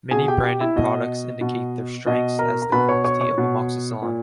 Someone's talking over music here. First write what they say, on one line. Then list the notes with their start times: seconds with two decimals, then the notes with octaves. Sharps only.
Many branded products indicate their strengths as the quantity of amoxicillin.
0.11 B2 G#4 G#5
0.28 G4 G5
0.43 G4 G5
0.60 E4 E5
0.76 B2 D#5
1.41 B2
2.06 B2 D#5
2.39 A#4 A#5
2.62 A#5
2.72 B2 B4 B5
2.89 C#5 C#6
3.04 C#5 C#6
3.21 C#5 C#6
3.38 B2
4.02 A#2